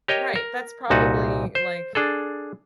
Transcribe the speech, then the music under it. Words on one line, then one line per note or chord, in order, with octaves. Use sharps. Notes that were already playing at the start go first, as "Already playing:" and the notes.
Right, that's probably, like,
G4 A#4 C#5 D#5 G5
A#4
C2 A#2 D#4 F#4 B4 A5
C5
D4 G#4 A4